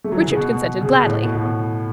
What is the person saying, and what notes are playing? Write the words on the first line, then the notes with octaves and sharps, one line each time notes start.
Richard consented gladly.
A3
F#3
E3
C#3
B2
B2
C#3
B2
A2
B2
B2
A2